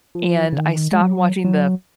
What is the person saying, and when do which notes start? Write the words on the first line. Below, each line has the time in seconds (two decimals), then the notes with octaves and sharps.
and, I stopped watching the f
0.15 F3
0.53 C#3
0.58 D#3
0.92 G#3
1.02 F#3
1.44 F#3